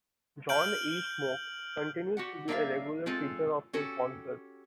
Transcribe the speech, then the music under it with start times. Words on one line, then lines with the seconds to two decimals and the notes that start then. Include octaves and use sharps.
"John E. Smoke" continues to be a regular feature of their concerts.
0.49 F6 G6 D7 F#7
2.17 F#4 G4 F#5
2.48 F#3 A#3 D4 B4 E5 F5
3.06 G#3 C4 F4 A4
3.73 C#4 F#4 G4 A4